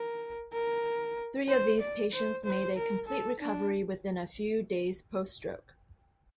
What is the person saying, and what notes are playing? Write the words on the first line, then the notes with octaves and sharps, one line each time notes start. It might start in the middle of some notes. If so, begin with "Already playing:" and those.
Three of these patients made a complete recovery within a few days post-stroke.
Already playing: A#4
A#4
C5
D5
C5
C5
A#4
A4
D4